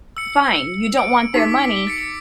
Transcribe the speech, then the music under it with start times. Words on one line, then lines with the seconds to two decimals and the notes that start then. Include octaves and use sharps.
fine. You don't want their money.
0.17 E6 C#7
0.97 D7
1.34 D#4 G4 D6 B6
1.87 A6 B6 C#7